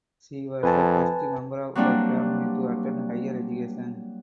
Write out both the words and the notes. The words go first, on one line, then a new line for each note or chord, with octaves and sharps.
She was the first member of her family to attend higher education.
F2 B4 G#5 A5
F#3 G3 A#3 C4 D4 F#4